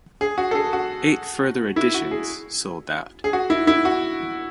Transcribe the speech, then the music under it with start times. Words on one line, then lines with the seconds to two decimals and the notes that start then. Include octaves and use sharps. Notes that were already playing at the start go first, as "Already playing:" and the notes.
Eight further editions sold out.
0.21 G#4
0.38 F#4
0.51 A4
0.55 G#4
0.73 F#4
1.76 E4
1.94 F#4
2.11 G#4
3.24 G#4
3.33 F#4
3.50 E4
3.67 E4
3.85 F#4